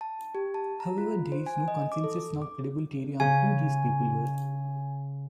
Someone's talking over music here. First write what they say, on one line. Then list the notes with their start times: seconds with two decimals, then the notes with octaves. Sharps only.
However, there is no consensus nor credible theory on who these people were.
0.01 A5
0.35 G4
0.54 A5
0.80 A#5
0.98 F4
1.32 C5
1.46 G#5
1.68 D#5
1.92 D6
2.04 A4
2.42 D6
3.20 C#3 G#5